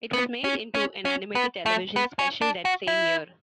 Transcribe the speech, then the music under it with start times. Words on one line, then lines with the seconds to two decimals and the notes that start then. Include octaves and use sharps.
It was made into an animated television special that same year.
0.13 B3
0.44 C#4
0.75 C#4
1.05 C#4
1.35 B3
1.66 A3
1.96 B3
2.19 C#4
2.41 D4
2.65 F#4
2.87 E4